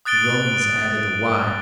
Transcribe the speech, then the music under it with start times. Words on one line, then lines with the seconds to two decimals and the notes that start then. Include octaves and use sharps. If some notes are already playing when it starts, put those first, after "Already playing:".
The Romans added the y.
0.05 D#6 F#6 A6 D7 G7